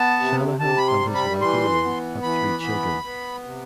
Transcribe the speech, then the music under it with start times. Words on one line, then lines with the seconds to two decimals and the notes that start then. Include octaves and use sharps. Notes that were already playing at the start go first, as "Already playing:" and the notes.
Shanahan and his wife Elaine have three children.
Already playing: B3 A5
0.19 C3
0.60 C3 A5
0.78 B5
0.87 C6
1.01 G3
1.14 B5
1.41 E3 C6
1.83 B3
2.23 E3 B5
2.63 B3
3.04 B3
3.45 C3